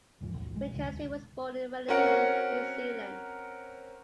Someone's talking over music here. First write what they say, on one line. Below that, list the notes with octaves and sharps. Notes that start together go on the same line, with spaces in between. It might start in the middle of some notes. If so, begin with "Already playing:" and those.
McKenzie was born in Wellington, New Zealand.
E1 D#2 G#2 F3
B1
G#3
F1 D2
C4 C#4 F#4 A#4 F#5